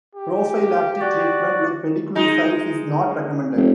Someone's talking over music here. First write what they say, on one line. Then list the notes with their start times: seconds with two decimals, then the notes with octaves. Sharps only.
Prophylactic treatment with pediculicides is not recommended.
0.15 G4
1.01 F#4 D5
2.15 G#3 D#4
3.56 F1